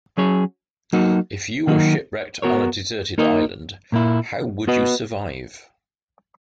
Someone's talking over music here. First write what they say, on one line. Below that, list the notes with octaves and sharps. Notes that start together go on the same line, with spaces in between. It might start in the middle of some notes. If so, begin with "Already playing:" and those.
If you were shipwrecked on a deserted island, how would you survive?
F#3 C#4 G#4 C#5
F#3 A#3 D#4 F#4
D#3 F#3 A#3 D#4 F#4
B3 F#4 A#4 C#5
A#3 D#4 A#4 D#5
A#2 A#3 E4
B3 F#4 B4 D#5